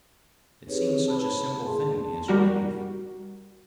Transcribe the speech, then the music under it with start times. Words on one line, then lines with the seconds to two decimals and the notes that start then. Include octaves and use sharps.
"It seems such a simple thing," answered the youth.
0.68 C4 D#4 G4 G#4 B4 C#5
1.08 A5 B5
1.65 G#4 A5 C6
1.93 A5
2.28 G3 F#4 A#4